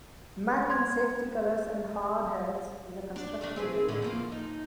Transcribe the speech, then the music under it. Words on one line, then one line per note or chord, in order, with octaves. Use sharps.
Men in safety colors and hard hats in a construction area.
C6 G#6
D4
G3 A3 D4
C4 G#4 B4
A2 D3 E4
F3 A#3
D#4